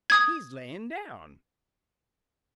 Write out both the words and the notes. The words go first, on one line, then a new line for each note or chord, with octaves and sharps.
"He's layin' down!"
D#6 G#6